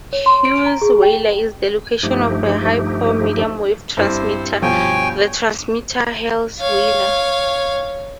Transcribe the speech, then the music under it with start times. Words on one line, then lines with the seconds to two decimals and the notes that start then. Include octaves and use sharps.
Heusweiler is the location of a high power medium wave transmitter, the transmitter Heusweiler.
0.13 C#5
0.26 C6
0.45 D7
0.66 A#5
0.82 G#4
1.02 G5
2.03 G2 F3 A3 D#4 G4
3.97 G2 C4 E4 C5
4.62 G2 B2 F3 C#5 G5 G#5
6.58 C#5 F5